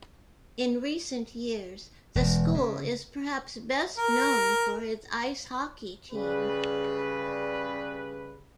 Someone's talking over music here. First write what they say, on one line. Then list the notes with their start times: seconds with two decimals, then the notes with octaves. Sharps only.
In recent years, the school is perhaps best known for its Ice Hockey team.
2.15 E1
2.55 C#3
3.98 A#4
6.12 C#3 G3 B4